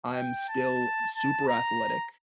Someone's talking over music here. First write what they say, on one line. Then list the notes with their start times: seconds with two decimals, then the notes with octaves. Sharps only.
I'm still super athletic,
0.15 G5
0.49 A5
1.16 A5
1.49 A#5